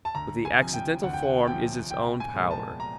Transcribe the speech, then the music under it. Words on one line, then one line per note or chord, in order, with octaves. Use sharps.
But the accidental form is its own power.
A5
D2 A#5
G#5
C3 F3
G5
D2 F#5
G5
F#5
C3 F3 G5
C2 G5
G#5
A#2 F3 G#3 B3
A5
A#5